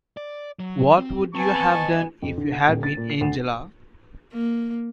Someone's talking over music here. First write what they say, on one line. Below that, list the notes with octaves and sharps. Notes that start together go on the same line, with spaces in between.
What would you have done if you had been Angela?
D5
F#3
C4
B3 C4 G#5 A5 C#6
C5 D#5
F2
D3
F#5
D#1
A6
A#2
C7
D2
A#3